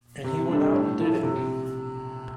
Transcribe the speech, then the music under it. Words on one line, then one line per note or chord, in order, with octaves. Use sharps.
And he went out and did it.
C3
G3 D4 A4
A2
F3 A3 E4
C3